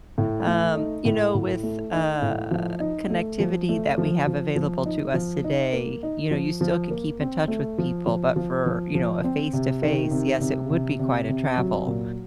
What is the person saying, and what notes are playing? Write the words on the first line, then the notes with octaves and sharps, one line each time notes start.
Um, you know, with, uh, connectivity that we have available to us today, you know, you still can keep in touch with people, but for, you know, a face-to-face, yes, it would be quite a travel.
A2
A3
D#4
A2
A2
A3
D#4
A2
F3
D#4
A3
F3
A3
F3
F3
F3
D#4
F3
D#4
A#3
D#4
F3
F3
A#3
C4
A3
F3
F3
F3
F3
F3
C4
C3
D#3
C3
C3
C3
C3
C3
F#3
A#2